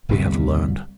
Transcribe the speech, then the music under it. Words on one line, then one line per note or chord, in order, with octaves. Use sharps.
We have learned.
D1 C2 G3